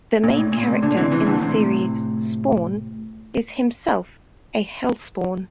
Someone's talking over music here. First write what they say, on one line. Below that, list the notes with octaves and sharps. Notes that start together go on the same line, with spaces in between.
The main character in the series, Spawn, is himself a Hellspawn.
A#2
A2
A#2
A2 C3
A#2 D3
C3 E3
C3 E3
A#2 D3
A2 C3